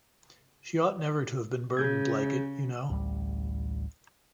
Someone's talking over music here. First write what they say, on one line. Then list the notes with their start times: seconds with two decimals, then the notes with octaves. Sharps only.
She ought never to have been burdened like it, you know.
1.77 C#3 G#4 G6 G#6
2.90 A1 D2 G3